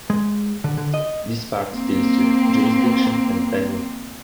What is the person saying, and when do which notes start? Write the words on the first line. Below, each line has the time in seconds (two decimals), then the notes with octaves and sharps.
This part deals with jurisdiction and venue.
0.10 G#3
0.64 D3
0.77 D3
0.94 D#5
1.73 A#3 C4